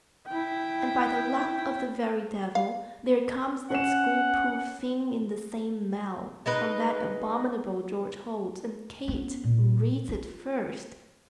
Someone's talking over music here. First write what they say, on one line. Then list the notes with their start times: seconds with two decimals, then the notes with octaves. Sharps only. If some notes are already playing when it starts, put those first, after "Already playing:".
And by the luck of the very Devil, there comes that school-proof thing in the same mail, from that abominable George Holt, and Kate reads it FIRST.
0.27 E4 G5
2.55 F5
3.70 C#4 F#5 E7
6.46 G#3 D#4 B4
9.08 B3 C#4
9.44 A#2
10.09 F4